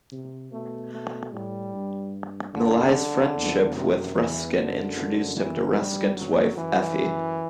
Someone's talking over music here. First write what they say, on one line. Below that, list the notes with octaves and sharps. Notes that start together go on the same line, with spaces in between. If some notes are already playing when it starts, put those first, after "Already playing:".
Millais's friendship with Ruskin introduced him to Ruskin's wife Effie.
C3
B2 A3
A3
A2 G3
G2
F#2 D3
E2
F#2 C3
E2 E3
F#2 D3
E3
G2 G3
F#2 F#3
F#2 E3
F#2